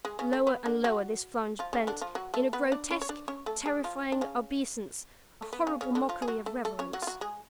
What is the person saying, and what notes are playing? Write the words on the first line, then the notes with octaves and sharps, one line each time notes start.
Lower and lower this flange bent--in a grotesque, terrifying obeisance; a horrible mockery of reverence.
G#3 G#4
C#3 C#4
A3
B3
D3 D4
F#3 F#4
F3 F4
C#3 C#4
D3 D4
F3 F4
F#3 F#4
A3 A4
B3 B4
D4 D5
C#4 C#5
C#5
D4 D5
C#4 C#5
A3 A4
G#3 G#4
F3 F4
D4
C#3 C#4
A3
B3
C#3 C#4
C#3 C#4
D3 D4
F3 F4
G#4
F#3 F#4
A3 A4
A3 A4
C#4 C#5
F#3 F#4
F4
F#3 F#4
G#3 G#4